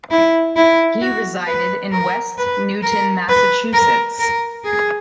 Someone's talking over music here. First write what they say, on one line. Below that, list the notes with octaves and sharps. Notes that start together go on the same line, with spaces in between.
He resided in West Newton, Massachusetts.
E4
E4
F#4
B4
A#4
B4
A#4
B4
A#4
A#4
G#4